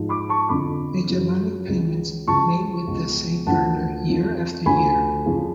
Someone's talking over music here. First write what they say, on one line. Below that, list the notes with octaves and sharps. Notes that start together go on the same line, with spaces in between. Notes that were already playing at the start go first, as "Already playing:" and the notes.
Magellanic penguins mate with the same partner year after year.
Already playing: G#2 F3
B5 D6
A5 C#6
F2 D3 F3 B5 D6
F#2 C#3 F3
C#2 C#3 F3
C#2 C#3 F3 A5 C#6
C#2 B2
D2 D3 F3 F#5 A5
F2 F3
D2 D3 F3 G#5 B5
F2 C#3 F3